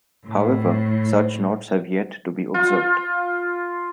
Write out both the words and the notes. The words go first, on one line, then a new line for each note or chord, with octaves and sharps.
However, such knots have yet to be observed.
A2
F4